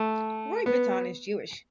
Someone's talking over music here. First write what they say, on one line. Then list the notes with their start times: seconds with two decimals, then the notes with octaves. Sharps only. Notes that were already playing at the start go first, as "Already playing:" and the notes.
Roy Bittan is Jewish.
Already playing: A3
0.66 B3